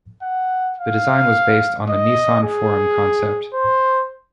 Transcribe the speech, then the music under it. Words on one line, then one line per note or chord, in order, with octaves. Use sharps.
The design was based on the Nissan Forum concept.
F#5
F5
D#5
G#4
C5